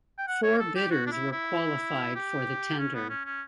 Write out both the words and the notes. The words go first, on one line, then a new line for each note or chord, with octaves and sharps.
Four bidders were qualified for the tender.
G5
F#5
C#5
A4
G4
F#4
D4
E4
E4
G4
C#4
B3
C#4
C#4